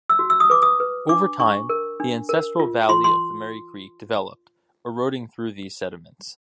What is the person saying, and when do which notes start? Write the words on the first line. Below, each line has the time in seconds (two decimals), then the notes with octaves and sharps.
Over time the ancestral valley of the Merri Creek developed, eroding through these sediments.
0.10 E6
0.19 F#4
0.30 E6
0.40 D#6
0.50 B4 D6
0.62 D#6
0.80 B4
1.09 D4 D6
1.39 D4 C#6
1.69 A#4
2.00 D4
2.29 A#4
2.60 F4
2.89 F4 C6
3.04 C6